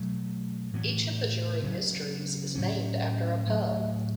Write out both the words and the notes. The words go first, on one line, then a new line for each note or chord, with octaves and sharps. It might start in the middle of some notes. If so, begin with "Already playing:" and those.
Each of the Jury mysteries is named after a pub.
Already playing: B2 F#3 A3
A2 E3 B3
C#3 F#3 B3
A2 F#3 C#4
A2 F#3 A3